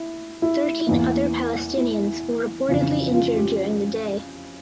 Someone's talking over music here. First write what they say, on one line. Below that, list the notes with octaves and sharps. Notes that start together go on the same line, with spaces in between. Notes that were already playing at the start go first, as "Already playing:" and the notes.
Thirteen other Palestinians were reportedly injured during the day.
Already playing: E4
E4
E2 E3 A#3
E4
F2 C#3 E3
F4
G4